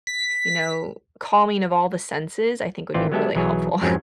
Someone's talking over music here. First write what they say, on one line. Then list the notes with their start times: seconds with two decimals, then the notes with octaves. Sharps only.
you know, calming of all the senses, I think would be really helpful.
0.07 B6
2.94 A1 E3 C4 F4 D5
3.12 F#3 G#3 B3 G4 A4 E5
3.35 B1 E3 F#3 G#4 C#5
3.82 F2 G#2 F3 F#3 C4 C#4